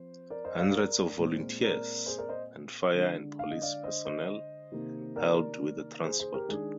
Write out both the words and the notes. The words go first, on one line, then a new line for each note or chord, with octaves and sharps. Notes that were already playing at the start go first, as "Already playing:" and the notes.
Hundreds of volunteers, and fire and police personnel, helped with the transport.
Already playing: F3 C4 C5
A#4 D5
C5 D#5
D5 F5
A#4 D5
A#2 G#3 C4
A#4 D5
G#4 C5
A#4 D5
C5 D#5
D3 G#3 D4
F5
D#5
D5 F5
C5 D#5
C5 D#5
C3 D#3 A#3
A#4 D5
G#4 C5
G#4 C5
G4 A#4
D#3 G#3 D4 G#4